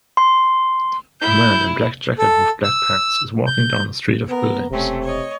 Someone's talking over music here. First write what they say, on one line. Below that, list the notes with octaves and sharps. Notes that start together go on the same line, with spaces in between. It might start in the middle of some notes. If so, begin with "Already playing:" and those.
A man in a black jacket with black pants is walking down a street of buildings.
C6
E4 G6
A4
E6
G6
B3 A#4
E1 C3 A3 C4 C#4
C#5 D#5